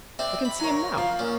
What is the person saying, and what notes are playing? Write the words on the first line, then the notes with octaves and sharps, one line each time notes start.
I can see him now.
C4 D4 E5
B5
F#3 A#4 C#5 G#5
F3 F4
A#2 C#4